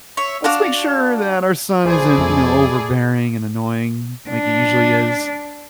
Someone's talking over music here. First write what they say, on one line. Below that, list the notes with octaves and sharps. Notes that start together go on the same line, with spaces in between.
"Let's make sure that our son isn't, you know, overbearing and annoying like he usually is."
C#5 E5
D4 F#4 F5 D6
A#1 E4 G#4 A4 C5 D5 G#5
F2 A3
D4